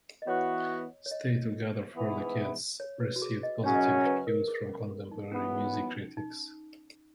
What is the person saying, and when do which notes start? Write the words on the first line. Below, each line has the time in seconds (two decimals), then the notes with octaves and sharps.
"Stay Together for the Kids" received positive reviews from contemporary music critics.
0.22 D#5
0.27 E3 B3 F#4 C#5
1.06 C#5
1.11 D#5
1.95 G#2 E3 B3 E4
2.80 C#5
3.00 B4
3.16 F#4
3.22 G#4
3.43 D#5
3.64 F#2 C#3 F#3 C#4 C#5
3.75 D#5
3.84 C#5
4.06 B4
4.27 A#4
4.48 G#4
4.69 C#4
4.90 C#4
5.11 D#4
5.32 F#2 E3 B3 C#4
5.54 D#4
5.74 D#4
5.95 C#4
6.17 D#4